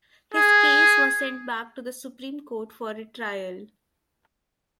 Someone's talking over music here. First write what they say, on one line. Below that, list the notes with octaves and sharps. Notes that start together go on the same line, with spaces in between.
His case was sent back to the Supreme Court for retrial.
G#4